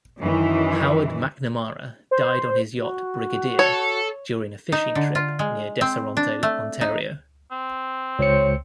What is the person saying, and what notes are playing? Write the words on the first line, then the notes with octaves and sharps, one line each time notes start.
Howard McNamara died on his yacht "Brigadier" during a fishing trip near Deseronto, Ontario.
F#2 D#3 E3
C5
F#4
A4 C#5
D#4
D3
F4
G#3
C4
D4
A3
D#4
C4
C#2 C5 C#5 C#7